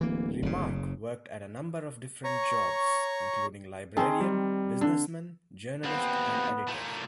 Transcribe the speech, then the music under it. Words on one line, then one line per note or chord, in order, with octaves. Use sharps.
Remarque worked at a number of different jobs, including librarian, businessman, journalist, and editor.
D1 E3 A#3
F#1 C#3
C#5 A#5 C#6
D#3 C4 G#4 C5 G#5 A5
G3
D3
D#2 B3 C4
A#2 A3